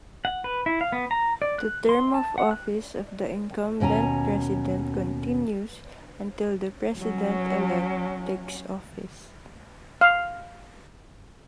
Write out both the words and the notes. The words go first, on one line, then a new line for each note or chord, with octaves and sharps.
The term of office of the incumbent president continues until the President-elect takes office.
F#5
B4
E4
F5
B3
A#5
D5
F#6
C6
A5
F#5
F#6
D#2 B2 C#4 G#5 A#5
F#3 C#4
F5